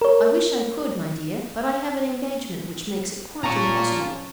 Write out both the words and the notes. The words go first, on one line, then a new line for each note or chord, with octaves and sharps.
"I wish I could, my dear, but I have an engagement, which makes it quite impossible."
A#4 C#5
C#4 F4 A5 A#5 C#6